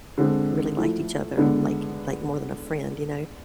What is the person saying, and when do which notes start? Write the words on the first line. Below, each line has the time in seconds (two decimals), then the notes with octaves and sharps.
really liked each other like like more than a friend, you know?
0.18 D3 G#3 C4
0.78 F3 A3 E4
1.38 D3 G#3 B3 D4